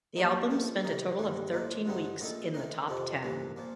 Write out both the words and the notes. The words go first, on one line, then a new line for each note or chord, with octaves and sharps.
The album spent a total of thirteen weeks in the top ten.
D#2 D#3 A#3 D#4
A#1 A#2 A3 C4 F4
C3 D#3 A3 D#4 A#4
G2 D#3 G3 A#3
A2 F3 A#3 D#4
G2 D3 A3 C4 D#4
A#1 A#2 A3 D#4 A4
D#3 A3 D#4 A#4 D#5
F2 C3 F3 C4 D#4
A1 G2 F3 A#3
A#2 F3 A#3